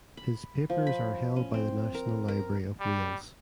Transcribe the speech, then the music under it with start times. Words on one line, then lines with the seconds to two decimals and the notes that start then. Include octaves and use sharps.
His papers are held by the National Library of Wales.
0.17 B5
0.70 F3
0.87 B5
1.36 C#4
1.54 C4
1.94 A#4
2.28 A#4
2.80 G3